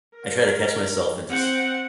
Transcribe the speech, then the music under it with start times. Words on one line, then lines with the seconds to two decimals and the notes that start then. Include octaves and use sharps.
I try to catch myself and just
0.16 A#4
1.30 C4 F#5